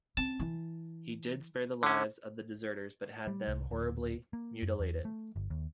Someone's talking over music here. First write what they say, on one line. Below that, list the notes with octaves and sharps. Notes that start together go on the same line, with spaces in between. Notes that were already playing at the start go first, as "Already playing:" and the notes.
He did spare the lives of the deserters, but had them horribly mutilated.
C4 C#4 A5
E3
D3 C#4
G3
C2
D1
A#3
F#2
E2
A3
G1
D#2